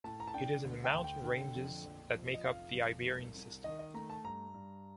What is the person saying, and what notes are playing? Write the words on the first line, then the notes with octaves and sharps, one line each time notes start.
It is in the mountain ranges that make up the Iberian System.
A2 A5
A#5
A5
D4 G5
D2
G5
D2
G5
D3 G5
F2
A#1
F3
D#5
F1 F5
F1
C2
C2
D#3 D#5
D#5
A3 A#5
A5
G2 A#5
G2